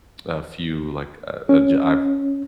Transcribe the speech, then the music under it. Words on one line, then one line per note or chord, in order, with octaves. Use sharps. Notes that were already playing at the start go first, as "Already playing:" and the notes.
a few, like, uh, a jo I've
C#4